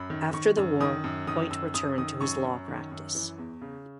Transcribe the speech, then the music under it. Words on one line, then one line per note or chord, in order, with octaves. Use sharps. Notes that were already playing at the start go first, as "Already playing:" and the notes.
After the war, Hoyt returned to his law practice.
Already playing: F#2 B5
D#3
D#3 C#6
F#2
D#3 D#6
F#2
D#3 D#6
F#2 E6
F#2 D#6
D#3 D#6
F#2 C#6
F#2
D#3
F#2
E3
E2
C#3